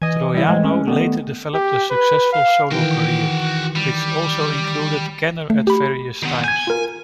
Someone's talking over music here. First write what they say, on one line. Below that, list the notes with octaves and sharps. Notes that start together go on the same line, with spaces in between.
Troiano later developed a successful solo career, which also included Kenner at various times.
E3 D#5 G#5
G3 E4
A2 G#3 C4
C#4
D#3 G3 A3 B3
G4
B4
F5
D#3 E3 F#4 G5
G3
A3
G4 B5
D#3 B3
G#5 G6 G#6
F4 A#4